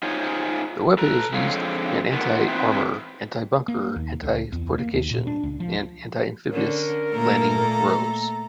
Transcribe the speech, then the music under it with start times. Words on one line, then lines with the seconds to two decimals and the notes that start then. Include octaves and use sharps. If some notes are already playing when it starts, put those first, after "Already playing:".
The weapon is used in anti-armor, anti-bunker, anti-fortification and anti-amphibious landing roles.
0.03 D#4 F4 G#4 C5 C#5
0.98 A4 B4 A#5
1.33 D3 F3 G#3 C4 C#5 F5
2.12 A#2 D#3 B3
2.47 E3 C4 D#4 E4 B4 C5
3.68 A#3
3.96 D#2
4.23 C#2
4.52 E2
4.78 A#3
4.94 D#2
5.11 A#2
5.27 D4
5.43 C#2
5.60 F3
6.51 D3 C#4 A#4
7.13 A#2 A3 A#3 A4 A#5